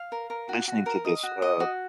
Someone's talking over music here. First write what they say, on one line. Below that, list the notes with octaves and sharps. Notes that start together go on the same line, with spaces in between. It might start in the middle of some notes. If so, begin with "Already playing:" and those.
listening to this, uh,
Already playing: F5
A#4
A#4
F#4
F#4
A#4
D#5
F#4
D#5
F#4